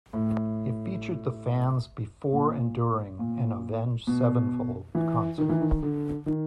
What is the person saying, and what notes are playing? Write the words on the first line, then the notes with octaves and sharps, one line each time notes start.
It featured the fans before and during an Avenged Sevenfold concert.
A2
A#2
A#2
B2
E3
D#3
E3
D#3
D3
D#3